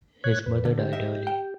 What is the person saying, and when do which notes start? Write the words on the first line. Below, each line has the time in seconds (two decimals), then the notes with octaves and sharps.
His mother died early.
0.24 C#5 F#6 G#6
0.46 F2 B4
0.65 D3
0.78 G4
0.93 D#5 E5
1.27 G5